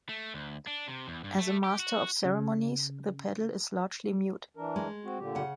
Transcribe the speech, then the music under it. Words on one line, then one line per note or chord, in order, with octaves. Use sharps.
As a master of ceremonies, the pedel is largely mute.
A3
D2
D4
C3
E2
G2
A3
G4
F#4
C#3
E3 D4 A#4
G#3
C4 F#4
A#2 D3 G4
C#3 F#5